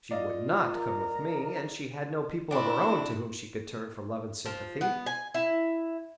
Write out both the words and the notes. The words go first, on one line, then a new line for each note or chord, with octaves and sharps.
She would not come with me, and she had no people of her own to whom she could turn for love and sympathy.
F4 D5 D#5 F5
A#4 A#5
C4 D4 E4
F3
B3
G#5
E4